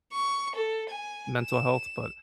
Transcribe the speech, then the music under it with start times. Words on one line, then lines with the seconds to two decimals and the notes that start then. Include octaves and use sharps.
mental health, but
0.12 C#6
0.55 A4
0.90 G#5
1.41 E7